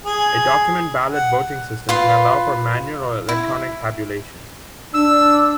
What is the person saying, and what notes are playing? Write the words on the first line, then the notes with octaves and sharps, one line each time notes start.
A document ballot voting system can allow for manual or electronic tabulation.
G#4
F#5
F4 B4 F5 C6
E4
D4 E6